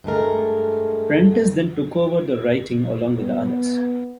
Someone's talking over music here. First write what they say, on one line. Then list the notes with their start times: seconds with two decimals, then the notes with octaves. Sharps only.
Prentice then took over the writing along with others.
0.04 G2 G#3 A3 A#4
3.16 B3